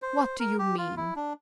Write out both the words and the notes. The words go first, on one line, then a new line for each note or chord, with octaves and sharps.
"What do you mean?"
C5
A#4
G4
F4
E4
D4